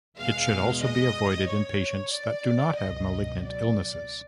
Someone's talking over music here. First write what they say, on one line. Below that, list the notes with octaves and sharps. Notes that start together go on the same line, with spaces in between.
It should also be avoided in patients that do not have malignant illnesses.
E2 B2 G#3 F5
D#5
C#5
D5
C#2 B2 F#3 D#5
D5